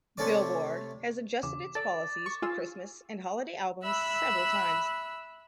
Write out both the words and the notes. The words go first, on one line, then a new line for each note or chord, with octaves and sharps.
"Billboard" has adjusted its policies for Christmas and holiday albums several times.
C3 A3 C#4 D5 D6
E2 C#3 D6
A4 D5 A6
C#6
F4 G#4 E6
E5 B5 E6 F#6